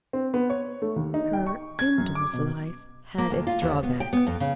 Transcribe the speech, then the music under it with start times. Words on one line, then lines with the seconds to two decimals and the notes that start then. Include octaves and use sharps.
Her in-doors life had its drawbacks.
0.13 C4
0.34 B3
0.50 C#5
0.82 A3
0.96 D#2
1.14 D#4
1.33 G5
1.47 C#6
1.79 G#6
1.98 F#2
2.15 D6
2.33 B2
3.18 A#3
3.30 D2
3.47 F4
3.62 D#2
3.83 B3
4.00 G5
4.13 B3
4.27 F2
4.40 C#3